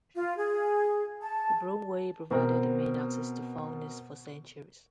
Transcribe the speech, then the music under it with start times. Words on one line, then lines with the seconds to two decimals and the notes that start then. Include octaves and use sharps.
The Broomway provided the main access to Foulness for centuries.
0.15 F4
0.37 G#4
1.22 A5
2.31 B2 C4 A#4